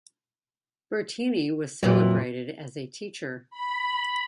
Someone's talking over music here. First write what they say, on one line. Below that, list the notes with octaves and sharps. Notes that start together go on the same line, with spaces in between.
Bertini was celebrated as a teacher.
F2 A#2 E3 F#3
B5
B5